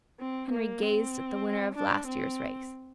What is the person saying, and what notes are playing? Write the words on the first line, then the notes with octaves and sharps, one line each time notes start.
Henry gazed at the winner of last year's race.
C4
A#3
C4
D4
C4